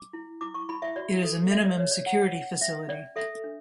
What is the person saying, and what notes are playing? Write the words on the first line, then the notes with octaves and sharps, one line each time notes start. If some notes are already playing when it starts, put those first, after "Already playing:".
It is a minimum security facility.
Already playing: D6
E4
E4 D6
C#6
E4 B5
E5
F#4 D5
A4
F#4 E5
D5
C#5
D5
C#4 F#5
C#4
C#4 E5
C#4 D5
A4 E5
D4